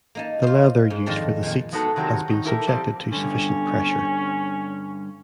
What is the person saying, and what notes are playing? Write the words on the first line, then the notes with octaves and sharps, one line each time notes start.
The leather used for the seats has been subjected to sufficient pressure.
A#3 D#4 A5
F4 C5
G#2
F2 D#3 D4 A5 A#5 C6
A#2 D#3
G#3 B3 D#4 F#4 A4
C3 D#3 F#3 C4 G4 A#4
D#3 D#4
E4 G4 A4 A#4
F3 G3 C4 G4
G2 D3 C#4